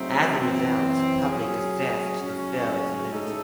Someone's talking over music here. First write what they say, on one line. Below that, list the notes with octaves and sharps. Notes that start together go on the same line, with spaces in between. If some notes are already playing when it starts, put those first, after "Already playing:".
As a result, public access to the fell is limited.
Already playing: C#3 F#3 A3 C4 D#4
F#2 E3 C4
F#3 C#4 G#4
C#3 F#3 C#4 F#4
A2 G#3 D#4 A4